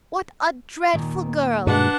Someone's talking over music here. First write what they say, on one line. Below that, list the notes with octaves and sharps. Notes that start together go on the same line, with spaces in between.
"What a dreadful girl!"
D#2 A#2 D#3
G2 B2 G#3 D4 B4 F#5